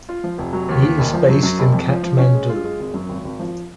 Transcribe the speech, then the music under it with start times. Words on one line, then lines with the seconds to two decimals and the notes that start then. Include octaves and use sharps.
He is based in Kathmandu.
0.09 F4
0.24 F3
0.38 F1
0.53 F#3
0.69 D#2
0.83 D#2
0.98 F#1
1.14 F3
1.28 F#2
1.43 F#2
1.59 F#1
1.73 F2
1.89 F3
2.03 F3
2.18 C#4
2.33 G#3
2.49 F4
2.64 G#3
2.79 G#1
2.94 F#2
3.09 G#1
3.25 G#1
3.40 F3